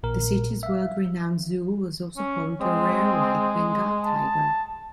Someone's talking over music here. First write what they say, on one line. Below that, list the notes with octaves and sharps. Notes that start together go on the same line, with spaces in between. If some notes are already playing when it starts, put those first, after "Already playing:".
The city's world-renowned zoo was also home to a rare white Bengal tiger.
A#1 A#2 A#4
E5 F5
C#4
G#3 C4
A5